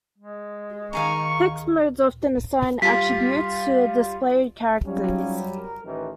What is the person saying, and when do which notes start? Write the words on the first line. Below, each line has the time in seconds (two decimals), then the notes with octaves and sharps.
Text modes often assign "attributes" to the displayed characters.
0.18 G#3
0.93 D#3 D#4 G#4 F5 C#6
2.82 G3 F4 B6
4.85 G#2 F#3 G3 C#4 F4
5.56 A#4
5.85 A1 D#3 E3